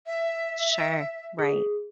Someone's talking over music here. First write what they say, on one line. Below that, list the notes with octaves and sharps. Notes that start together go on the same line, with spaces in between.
Sure, right.
E5
G#4